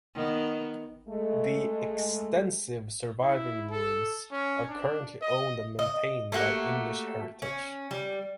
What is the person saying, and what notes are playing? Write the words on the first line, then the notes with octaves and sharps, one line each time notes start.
The extensive surviving ruins are currently owned and maintained by English Heritage.
D#3 B3
G#3 A3
E4
A4
C#4
D4
D#5
D#5
A3 A#3 F#4 G4
C#4
G3